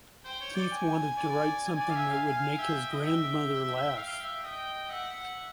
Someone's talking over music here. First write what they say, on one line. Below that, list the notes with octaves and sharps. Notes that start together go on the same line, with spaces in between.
Keith wanted to write something that would make his grandmother laugh.
C5 G5
C#5
D5
G#5
D5
G#5
D5
F5
E5
F5
F5
E5 G5
D#5
E5 G5
F5 G5
E5
D#5 G5
E5 F#5